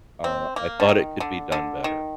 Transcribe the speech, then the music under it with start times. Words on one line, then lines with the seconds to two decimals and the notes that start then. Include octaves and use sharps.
Uh, I thought it could be done better.
0.24 C4
0.56 A#3
0.80 D3
0.89 D#3
1.20 D3
1.52 D3
1.84 D#3